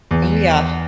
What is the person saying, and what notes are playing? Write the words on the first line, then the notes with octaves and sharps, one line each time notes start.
Oh, yeah.
E2